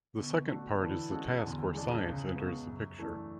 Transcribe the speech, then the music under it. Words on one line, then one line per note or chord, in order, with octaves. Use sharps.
The second part is the task where science enters the picture.
B2 D3
A3 D4 F#4
D3 E3
G#3 C#4 F#4 A4
E2 D3
C#3 G#3 D4
C#2 C#3
B2 G#3 B3
F#2
E3 A3 D4